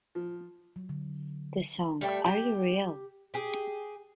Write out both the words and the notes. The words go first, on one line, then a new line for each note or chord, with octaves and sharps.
The song Are You Real?
F3
F#3
D3
G3 A3 G5
G4
G4 G#4